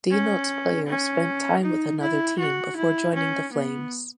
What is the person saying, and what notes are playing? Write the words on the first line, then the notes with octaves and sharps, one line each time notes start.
Denotes player spent time with another team before joining the Flames.
C#4
C#4
D#4
E4
F#4
E4
C#4
B3